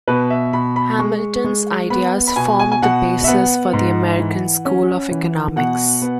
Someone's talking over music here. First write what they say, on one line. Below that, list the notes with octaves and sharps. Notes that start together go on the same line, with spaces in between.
Hamilton's ideas formed the basis for the "American School" of economics.
B2 B4
E5
B2 B5
B5
G#3 C#6
G#3
B3 B5
B5
B2 G#5
G#5
G#5
B2 F#5
E5
B3 F#5
G#2
E3
C#4
E3
B2 F#5
B3